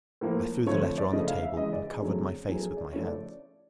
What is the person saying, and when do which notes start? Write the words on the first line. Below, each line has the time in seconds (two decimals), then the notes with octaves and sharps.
I threw the letter on the table, and covered my face with my hands.
0.21 A2 F3 A#3
0.66 F2 D3 F3 A3 C#5
0.98 D5
1.12 C#3 F3 A3 D#5
1.27 F5
1.42 E5
1.57 C#3 E3 G#3 D#5
1.73 D5
1.88 G#4
2.03 F2 C#3 F#3 A3
2.47 A2 F#3 A3 G#4
2.63 G#4
2.77 D5
2.93 C#3 F3 A3 C#5
3.07 D5